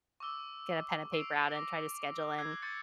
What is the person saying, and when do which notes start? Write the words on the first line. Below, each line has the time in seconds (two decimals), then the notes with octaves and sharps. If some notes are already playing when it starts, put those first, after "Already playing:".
get a pen and paper out and try to schedule in
0.20 C#6 D6 E6 G7
1.12 C#6 E6 C7 D7 F7
1.51 D6 A#6
2.38 E6 F#6 G#6 C7
2.62 C#6 G6 A6 C#7